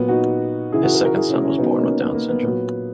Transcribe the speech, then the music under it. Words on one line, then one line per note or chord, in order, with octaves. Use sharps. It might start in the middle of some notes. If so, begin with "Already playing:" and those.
His second son was born with Down syndrome.
Already playing: A#2 F#3 B3
D#4 F#4
C#3 E3 E4 G#4
F#4 A#4
F#4 A#4
F#4 A#4
E4 G#4
C#4 E4
C#4 E4
B2 F#3 B3 D#4
A#3 C#4
B3
A#3
B3
A#2 F#3